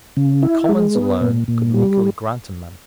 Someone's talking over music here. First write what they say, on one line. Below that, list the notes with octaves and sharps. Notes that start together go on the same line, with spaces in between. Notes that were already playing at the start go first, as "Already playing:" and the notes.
The Commons alone could legally grant him money.
C#3
E4
G#3
B3
A#2
A#2
G3